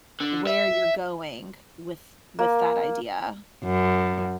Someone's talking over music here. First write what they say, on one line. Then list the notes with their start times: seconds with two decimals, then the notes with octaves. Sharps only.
where you're going with with that idea.
0.20 D3
0.47 E5
2.39 A#3
3.64 F#2